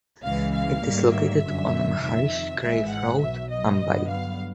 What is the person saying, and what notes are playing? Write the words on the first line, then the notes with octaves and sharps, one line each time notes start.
It is located on Maharishi Karve Road, Mumbai.
C#2 C#3 E3 G#3 F5
F5
G#2 D#3 G3 A#3
E5
G1 F#2 D3 F#3
F2 C3 D#3 E5
G#1 G#2 E3 G#3 E5
F#5
B1 B2 F#3 E5
D#5
G2 D3 F#3 B3
F5